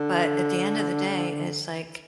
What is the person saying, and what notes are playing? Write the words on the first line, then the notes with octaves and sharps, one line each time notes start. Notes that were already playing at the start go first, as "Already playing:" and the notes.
but at the end of the day, it's like,
Already playing: D3